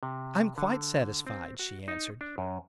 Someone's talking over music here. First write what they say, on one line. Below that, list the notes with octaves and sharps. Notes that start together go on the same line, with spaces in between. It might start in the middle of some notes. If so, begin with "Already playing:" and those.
"I'm quite satisfied," she answered.
C3
D3
C4
F#4
D#4
D4
F#2